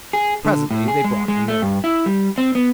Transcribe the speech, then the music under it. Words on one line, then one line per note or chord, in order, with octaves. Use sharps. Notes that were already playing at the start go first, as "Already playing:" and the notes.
Presently they brought him in.
G#4
D3
A2
G#4
G#3
G#3
A3
G2
E4
G3
C4
B3